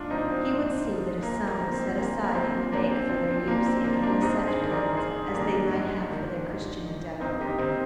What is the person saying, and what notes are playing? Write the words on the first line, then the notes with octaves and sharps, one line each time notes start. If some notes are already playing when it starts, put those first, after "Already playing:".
He would see that a sum was set aside in the bank for their use in any such plans as they might have for their Christian Endeavor work.
Already playing: G#2 D4 F4
F3 C4 D#4
C4
G#2
F3
A#2 A#3
A#3
F3
C4
A#2 A#3
A#3
F3 C4
A#2 A#3 D4
C4
F3 C4
C4
A#2 A#3 D4
C4
F3 A#3
A#3 D4
G2 C4 D#4
G#4 C5
D#3
A#4 D5
G2 G#4 C5
D#3 A#3 D4
G#2
D#3
G#2
D#3
G2 C4 D#4
D#4 G4
D#3 C4 D#4